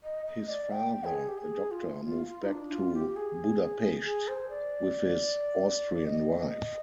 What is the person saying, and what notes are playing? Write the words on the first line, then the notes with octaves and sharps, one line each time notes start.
His father a doctor moved back to Budapest with his Austrian wife.
D#5
D#5
D5
G5
G#4
G4
G#4
F4
F4
F4
D#4
D4
F4
G4
G#4
G#4
C5
D5
D5
D#5